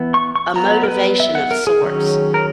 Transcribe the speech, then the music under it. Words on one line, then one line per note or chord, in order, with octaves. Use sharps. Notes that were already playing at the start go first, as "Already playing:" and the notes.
a motivation of sorts,
Already playing: E3 B3
C#6
C#6
F#3 B3 A#5
A#4
B4
E5
F#5
A#4
G#4
D#3 F#3 C#4
A#4